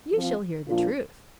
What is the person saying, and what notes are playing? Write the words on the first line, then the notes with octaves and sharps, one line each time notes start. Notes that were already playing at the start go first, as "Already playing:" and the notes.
You shall hear the truth.
F3 C4 F4
A#2 F3 D4 F4